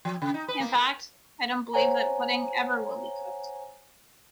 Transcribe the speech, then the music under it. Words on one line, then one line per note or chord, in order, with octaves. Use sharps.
In fact, I don’t believe that pudding ever will be cooked!
F3
C#3
D#4
B4
A#3
A#4
C5 C#5 F#5 G#5 A#5